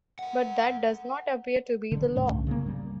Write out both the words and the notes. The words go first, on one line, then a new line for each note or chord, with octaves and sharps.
But that does not appear to be the law.
A#4 F#5
D3
D2 A2 A3 C#4
C2 G2
C#3 F#3 A#3
G3